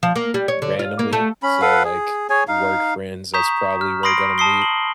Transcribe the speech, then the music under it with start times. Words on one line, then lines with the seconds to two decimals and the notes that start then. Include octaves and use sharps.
randomly. So, like, work friends, that's probably where you're gonna meet,
0.03 F3
0.16 A#3
0.34 G3
0.48 C#5
0.62 D3
0.79 F4
0.99 A#3
1.13 A3
1.43 C#4 B5
1.61 A4 B4 F5 F#5
1.85 G#4
2.30 G#4 C#5 G#5
2.48 D#4 F5
3.34 A#5 C#6 D#6 G6 B6 E7
3.81 F6
4.03 B5 C6 D#6 A#6 C7 D7
4.38 A5 D#6 C7 G7
4.62 F#7